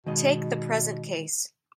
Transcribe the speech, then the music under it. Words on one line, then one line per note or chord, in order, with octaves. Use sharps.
Take the present case.
B2 D#3 G#3 D#5